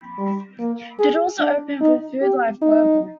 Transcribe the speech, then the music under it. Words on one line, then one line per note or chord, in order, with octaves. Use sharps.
The doors are open for Food for Life Global.
G3
A#3
G#4
D4
D#4
G4
D#4